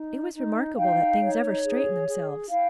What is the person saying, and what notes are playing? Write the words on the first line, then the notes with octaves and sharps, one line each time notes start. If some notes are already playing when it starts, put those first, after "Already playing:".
It was remarkable that things ever straightened themselves.
Already playing: D#4
D#4
D#4 F5 G5
C#5
G#4
G#4
E4 F5 G5